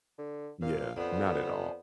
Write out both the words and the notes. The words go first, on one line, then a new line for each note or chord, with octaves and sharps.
Yeah, not at all.
D3
A#2 F5
F2 B3 C5 D5